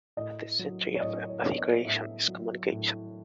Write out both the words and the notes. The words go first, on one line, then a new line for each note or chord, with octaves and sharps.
At the centre of empathy creation is communication.
A2 D#5
F#3
C#5
A2 D#5
C#5
B3 C#5
D#5
A2 E5
F#3
A2